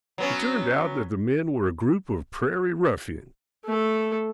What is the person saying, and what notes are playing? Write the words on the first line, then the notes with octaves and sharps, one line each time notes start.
It turned out that the men were a group of prairie ruffians.
F#3 B3 C#4
A3 A4